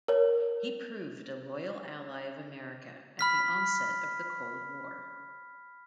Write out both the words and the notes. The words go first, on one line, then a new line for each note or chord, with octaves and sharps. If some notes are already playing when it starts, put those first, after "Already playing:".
He proved a loyal ally of America at the onset of the cold war.
A#4 C#5
B5 F6 B6